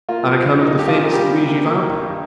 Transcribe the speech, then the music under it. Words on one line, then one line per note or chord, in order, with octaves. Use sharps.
"On account of the famous Luigi Vampa."
A#3 F4
F3
F2
A#3 D#4
F3 G4
F4
A#2
A#4
G3 G4
C3
A#3
A#3
D#3
G2